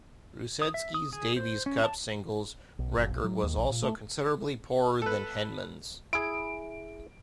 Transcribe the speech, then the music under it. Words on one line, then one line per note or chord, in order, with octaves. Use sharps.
Rusedski's Davis Cup singles record was also considerably poorer than Henman's.
D#6
E5
D#6
G#4
C5
C#4
A5
B1
F#1
B1
F#3
D#2
A#1
A#2
A3
A4 B4
E4 G#4 D7